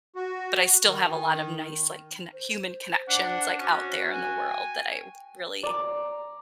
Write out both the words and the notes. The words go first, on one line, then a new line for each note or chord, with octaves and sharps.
But I still have a lot of nice like, connec human connections, like, out there in the world that I really
F#4
D#3
C5
D4 F#5
C#4 F#4
G#5
G5
D5 A#5